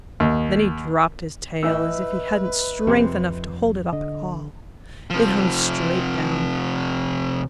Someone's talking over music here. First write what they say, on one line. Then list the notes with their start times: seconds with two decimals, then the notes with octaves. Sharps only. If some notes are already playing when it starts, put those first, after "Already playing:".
Then he dropped his tail as if he hadn't strength enough to hold it up at all. It hung straight down.
0.20 D#2
1.63 A2 E3 B4 D#5 E5 E6
2.87 F2 C3 G#3 C4
3.93 D3 D#5
5.10 C3 F3